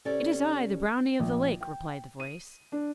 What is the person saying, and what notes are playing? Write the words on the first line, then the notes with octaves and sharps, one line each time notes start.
'It is I, the brownie of the lake,' replied the voice.
C3 C#4 G4 A4 D5
A#1
G5
D#7
D4